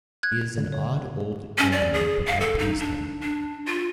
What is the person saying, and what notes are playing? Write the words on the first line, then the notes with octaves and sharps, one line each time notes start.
He is an odd old gentleman, but that pleased him.
F#6 G#6
D3
C#5
C#4
D5
G#4
F5
A4
D#4
D4
D4
F4